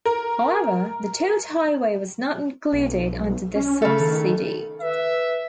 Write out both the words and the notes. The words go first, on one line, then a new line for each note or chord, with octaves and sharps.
However, the Tote Highway was not included under this subsidy.
A#4
B1
C#4
C#3 A3 A4
D#3
B4 E5